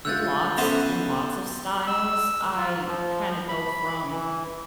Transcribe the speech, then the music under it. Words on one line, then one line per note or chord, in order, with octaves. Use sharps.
lots and lots of styles. I kinda go from,
D3 A3 F4 E6 G6 A6
B3 C#4 A4 C5 E5
E6
F4
F3
B5
E3